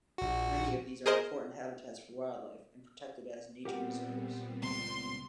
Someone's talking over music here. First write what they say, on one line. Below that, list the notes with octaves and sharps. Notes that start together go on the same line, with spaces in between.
Many of these are important habitats for wildlife and protected as nature reserves.
A#1 F#4
G#4 A#4 C5 D#5
A#2 G3 B3 C4 G4 A#4 F#5
C#2 C6